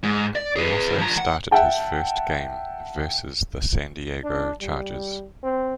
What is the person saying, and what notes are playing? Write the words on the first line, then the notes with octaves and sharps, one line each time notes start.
He also started his first game versus the San Diego Chargers.
G#2
D5
G#4 B4
F3 A#5
F#5
E5 F#5 G5 A5
D4
G3
C4